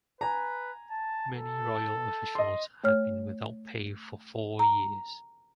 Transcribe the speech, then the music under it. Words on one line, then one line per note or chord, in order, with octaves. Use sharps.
Many royal officials had been without pay for four years.
B4 G#5 A#5
A5
A4
D#5 C6
A3 C#5 F6
A#5